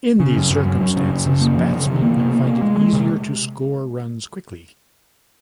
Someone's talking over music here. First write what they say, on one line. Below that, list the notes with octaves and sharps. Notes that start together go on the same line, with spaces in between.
In these circumstances, batsmen find it easier to score runs quickly.
C#3
F#2
F#2
F#2
F#2
C#3
F#2
C#3
A#3
F3
C3
C3
A#3
C3
A#3
A#3
G#3
G#3
C3